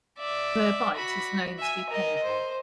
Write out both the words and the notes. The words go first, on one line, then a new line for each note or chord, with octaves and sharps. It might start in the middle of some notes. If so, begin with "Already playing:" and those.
Their bite is known to be painful.
D5 E5
F#4 B5
E5 G#5
A#4 D#5
C5